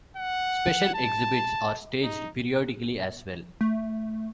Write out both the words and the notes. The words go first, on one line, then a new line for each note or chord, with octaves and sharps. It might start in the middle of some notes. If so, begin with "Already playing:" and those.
Special exhibits are staged periodically as well.
F#5
A5
D#4
A3